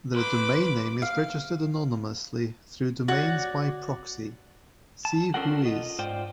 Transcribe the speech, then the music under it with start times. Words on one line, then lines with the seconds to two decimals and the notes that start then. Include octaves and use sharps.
Their domain name is registered anonymously through domains by proxy, see whois.
0.15 B4 B5 C6 D6
1.02 F5
3.08 F#4 C#5 D5
5.05 A5
5.34 C#4 D4 F4 A4 A#4 F#5
5.63 F4 D#5
5.99 G#2 F4 C5 D5 G5